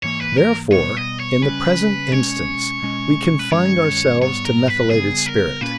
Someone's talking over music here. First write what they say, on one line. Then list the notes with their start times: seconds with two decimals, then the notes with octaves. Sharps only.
Therefore, in the present instance, we confined ourselves to methylated spirit.
0.03 G#2 E3 A#3 C#5
0.21 B4
0.38 A#4
0.72 B2 G3 B3 C#5
0.97 D#5
1.20 C#5
1.42 C#3 G3 C#4 B4
2.11 B2 G#3 C#4 C#5
2.82 B2 G#3 C#4
3.39 B4
3.51 G2 D#3 G#3 C#4 C#5
4.21 G#2 G3 B3 C#5
4.45 A#4
4.68 B4
4.91 C#3 G3 B3 G#4
5.26 A#4
5.61 A#2 A#3 C#4 B4